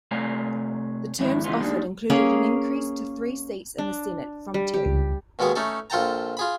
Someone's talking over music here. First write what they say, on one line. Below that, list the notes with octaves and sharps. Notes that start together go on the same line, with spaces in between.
The terms offered included an increase to three seats in the Senate from two.
C3 A3 C#5 F5 G#5 A#5
F2 G#2 D#3 E4
C#3 E3 G#3 B3 F4
G3 A#3 D4 D#4
A#3 C#4 G#4
D4
G3
G4
C#2
D#2 B2 G#3 B3 G#4
A3 C#4 D#4 A4
A#1 F4 A4 G5 A5 A#5
F4 G#4 B5